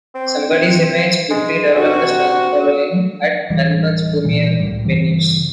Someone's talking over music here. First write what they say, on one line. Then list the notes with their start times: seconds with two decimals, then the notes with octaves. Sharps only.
Somebody's Image quickly developed a strong following at Melbourne's premier venues.
0.15 C4
1.31 G#3
1.76 C3 F#4
3.50 D1 E3 G3
4.24 A#2 D#3 E3 G3
4.59 C#2 A2 G3
4.84 G2 C#3 E3 G3